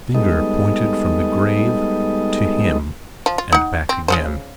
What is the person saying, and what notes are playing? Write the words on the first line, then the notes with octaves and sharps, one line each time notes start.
The finger pointed from the grave to him, and back again.
G3 G#3 B3 D#4 A4 D#5
F3
F4
D#4 F#5
C4
C#3 E3 C5